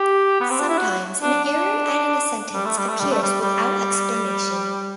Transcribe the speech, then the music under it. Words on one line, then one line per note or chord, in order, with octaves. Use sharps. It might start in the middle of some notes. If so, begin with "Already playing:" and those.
Sometimes, an error adding a sentence appears without explanation.
Already playing: G4
B3
C4
D4
E4
F#4
D4
D4
G3
A3
G3
A3
G3
A3
G3
G3